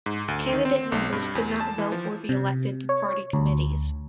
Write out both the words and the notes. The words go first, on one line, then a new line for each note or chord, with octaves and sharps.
Candidate members could not vote or be elected to party committees.
G#2
D2
D#3
C4
B1
G2
E2
A5
E3
F3
C3
C#5
D2